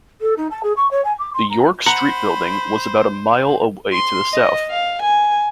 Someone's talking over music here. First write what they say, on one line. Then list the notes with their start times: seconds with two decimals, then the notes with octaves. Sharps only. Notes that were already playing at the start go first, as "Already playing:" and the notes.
The Yorke Street building was about a mile away to the south.
0.21 A4
0.37 D#4
0.50 A5
0.63 G#4
0.76 C#6
0.91 C#5
1.04 G#5
1.18 D6
1.34 C6
1.50 A#5
1.86 C5 F#5 A#5 B5
3.92 C6
4.33 D#5
4.70 F5
5.01 G#5